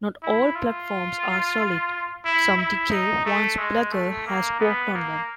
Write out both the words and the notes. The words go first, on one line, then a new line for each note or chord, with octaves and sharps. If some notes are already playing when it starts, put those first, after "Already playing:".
Not all platforms are solid, some decay once Blagger has walked on them.
E4
F4
E4
E4
D#4
A3
G#3
A3
A#3
B3
A#3